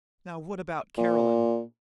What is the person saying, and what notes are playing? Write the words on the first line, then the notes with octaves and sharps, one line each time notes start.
Now what about Caroline?
A#2